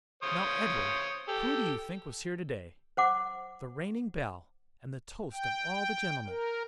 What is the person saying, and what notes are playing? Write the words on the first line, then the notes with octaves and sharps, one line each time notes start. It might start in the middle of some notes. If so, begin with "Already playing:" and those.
"Now, Edward, who do you think was here to-day--the reigning belle, and the toast of all the gentlemen?"
C5 C#5 D#6
G4 A4
C5 F#5 D6
G5
A#4